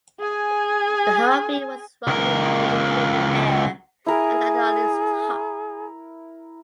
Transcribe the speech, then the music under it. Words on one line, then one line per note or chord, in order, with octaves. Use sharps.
The Humvee was rocketed into in the air and landed on its top.
G#4 G#5
C#2 A#4
E4 G#4 A#4